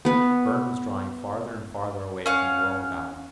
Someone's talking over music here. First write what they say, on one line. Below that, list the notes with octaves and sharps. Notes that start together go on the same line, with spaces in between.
Burne was drawing farther and farther away from the world about him.
B3 B4
C#4 F5 F#5